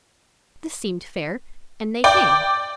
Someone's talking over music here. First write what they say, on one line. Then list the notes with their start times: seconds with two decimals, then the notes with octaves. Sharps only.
This seemed fair, and they came.
2.04 D5 G5